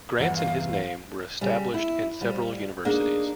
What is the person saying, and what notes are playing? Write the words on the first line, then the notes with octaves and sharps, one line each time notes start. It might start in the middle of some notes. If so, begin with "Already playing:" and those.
Grants in his name were established in several universities.
E2 G2 E3 F#5
F5
C#3 G3
E4
F2 G3
A#3 D4 D#4 G#4